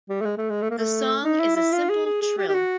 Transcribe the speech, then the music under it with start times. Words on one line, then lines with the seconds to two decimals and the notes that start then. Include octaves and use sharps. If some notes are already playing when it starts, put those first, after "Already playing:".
The song is a simple trill.
0.09 G3
0.21 A3
0.25 G#3
0.38 A3
0.50 G#3
0.62 A3
0.70 A#3
0.78 A3
1.24 D#4
1.40 E4
1.56 E4
1.72 F4
1.89 G#4
2.05 G#4
2.22 G#4
2.38 G4
2.49 G4
2.54 F#4